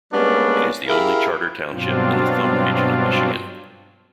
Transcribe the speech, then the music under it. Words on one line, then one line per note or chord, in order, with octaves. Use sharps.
It is the only charter township in the Thumb region of Michigan.
G3 G#3 A#3 B3 C#4 D4
E4 G4 G#4 A#4 E5 F5
G2 B2 F#3 C4 D4 F4